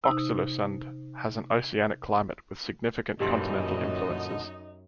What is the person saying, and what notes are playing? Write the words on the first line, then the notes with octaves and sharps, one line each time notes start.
Oxelösund has an oceanic climate with significant continental influences.
C3 D#4
F#2 A#2 D3 E3 D#4 G4 D#5 C6